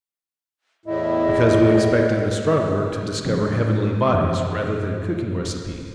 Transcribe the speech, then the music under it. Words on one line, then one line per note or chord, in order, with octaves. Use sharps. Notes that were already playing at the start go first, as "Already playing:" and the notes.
Because we expect an astronomer to discover heavenly bodies rather than cooking recipes.
E2 A2 E4 D#5
C#3 F3 C4
A2 G#3 D4
F#2 C3 E3 F3